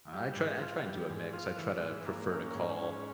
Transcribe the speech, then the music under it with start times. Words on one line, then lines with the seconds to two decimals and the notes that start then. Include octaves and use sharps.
I try, uh, I try and do a mix. I try to prefer to call,
0.13 G3
0.37 G#2
0.62 F4
0.85 G3
1.10 G#2
1.33 F4
1.58 E3
1.82 G#2
2.07 A#3
2.31 C#4
2.54 G#2
2.79 C#4